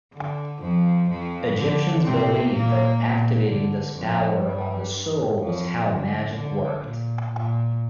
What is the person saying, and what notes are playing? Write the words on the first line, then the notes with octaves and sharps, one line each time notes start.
Egyptians believed that activating this power of the soul was how magic worked.
D3
F2 F3
F2 F3
D3
C3 C4
A#2 A#3
A#2
D3
F2 F3
G2 G3
F2 F3
D3
D3
A#2
A#2